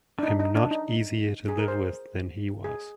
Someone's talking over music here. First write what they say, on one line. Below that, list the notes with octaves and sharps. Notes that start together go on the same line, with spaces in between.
I'm not easier to live with than he was.
D4
D#4
D#4
D4
D#4
G#4
A#4
C5
G#4